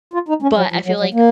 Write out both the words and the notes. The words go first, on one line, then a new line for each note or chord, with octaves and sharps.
But I feel like
F4
D#4
C#4
F#3
F3
F#3
F#3
A#3